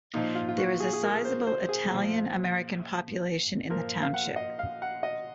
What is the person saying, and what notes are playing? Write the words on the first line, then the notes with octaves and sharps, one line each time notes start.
There is a sizable Italian American population in the township.
A#2 F3 D#4
F4
F4
F#4
G#4
G#4
A#4
C5
C5
G#4
A#2 F3
A#2 F3 A#4
F5
F#5
D#5
F5
F#5
D#5